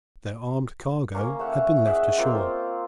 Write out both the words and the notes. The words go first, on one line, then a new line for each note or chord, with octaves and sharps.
Their armed cargo had been left ashore.
A#3 C#4 F5 A#5
A3 C#4 F#5
G#4 D#5 E5 F#5
A#3 C4 F4 G5